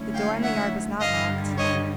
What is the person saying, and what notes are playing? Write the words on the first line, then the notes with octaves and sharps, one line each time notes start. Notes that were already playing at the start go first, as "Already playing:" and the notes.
The door in the yard was not locked.
Already playing: D3 F#3 A3 C#4 E4
F5 G5
E5 F#5
G2 D3 G3 D#5 F5
C#5 D#5